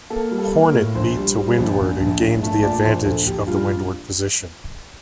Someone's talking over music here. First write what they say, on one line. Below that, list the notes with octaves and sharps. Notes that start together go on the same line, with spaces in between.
"Hornet" beat to windward and gained the advantage of the windward position.
A#3 A4
G3
A4
A#3
A#4
A2
A#1 C5
G3
G3
A#1
A#1
A#1
A#1
A3
A#2 D5
A#1 C5
A#1 A4
A#1 G4
G3 F4